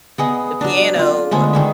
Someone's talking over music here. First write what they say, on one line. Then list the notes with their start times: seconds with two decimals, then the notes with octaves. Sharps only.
the piano.
0.18 B3 G#4 D#5
0.61 F#3 D4
0.96 C4 F4
1.31 D3 G#3 A3 B3
1.53 D#3 G#4 E5